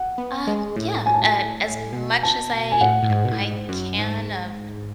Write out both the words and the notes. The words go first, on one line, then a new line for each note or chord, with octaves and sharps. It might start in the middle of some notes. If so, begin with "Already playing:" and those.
Um, yeah, uh, as much as I, uh, I can of
Already playing: F#5
B3
G#3
A2
G#5
A5
G#5
A2
B2
A5
G#5
A2 F#5
A2
G#2
B2
A2
G#2
F#2
G#2